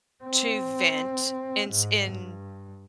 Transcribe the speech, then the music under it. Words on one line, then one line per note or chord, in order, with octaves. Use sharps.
to vent in s in
C4
G#2
G2